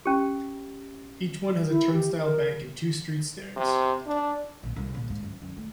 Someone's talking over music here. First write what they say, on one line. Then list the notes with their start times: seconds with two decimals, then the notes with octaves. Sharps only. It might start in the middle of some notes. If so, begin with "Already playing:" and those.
Each one has a turnstile bank and two street stairs.
0.06 C#4 G4
1.68 E4
1.93 G4
2.19 A#4
3.57 C3
4.06 D4
4.63 A#1
4.76 C2
4.95 A#1
5.10 G#2
5.23 F#2
5.42 F#2
5.57 A3